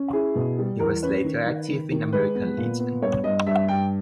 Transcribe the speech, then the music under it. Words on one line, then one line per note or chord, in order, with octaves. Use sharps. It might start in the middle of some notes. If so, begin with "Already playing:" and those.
He was later active in the American Legion.
Already playing: C#4
E4 G#4
B2
G3
E2 A#4
C#4 B4
D#3
D#3
D#3
D#3
G#3 B4
B3
A#2
B3
G2 C#5
G2 D#5
G2 E5
G2 G5